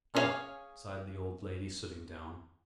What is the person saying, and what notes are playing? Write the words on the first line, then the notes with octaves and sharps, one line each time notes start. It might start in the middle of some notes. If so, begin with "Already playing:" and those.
"Ah," sighed the old lady, sitting down.
C#4 D4 G#4 C#5 F5